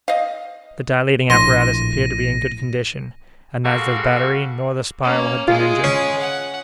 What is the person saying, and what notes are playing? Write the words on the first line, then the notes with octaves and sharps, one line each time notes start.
The dilating apparatus appeared to be in good condition, and neither the battery nor the spiral had been injured.
D#5 F5
A#1 A2 C6 A#6 D#7
G3 G#3 A#3 F#4 A4 F5
A#3 C#4
G#3 F4 G#4
C#4
F#5